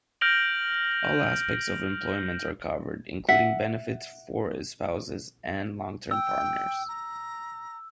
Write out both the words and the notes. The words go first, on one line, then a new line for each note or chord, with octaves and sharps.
All aspects of employment are covered, including benefits for spouses and long-term partners.
F6 G6 A#6 D7 F7 F#7
E5 F#5
G5 E6
A#5